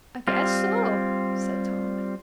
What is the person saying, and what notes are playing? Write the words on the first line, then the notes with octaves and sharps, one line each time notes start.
"I guess so," said Tom.
G3 C4 F4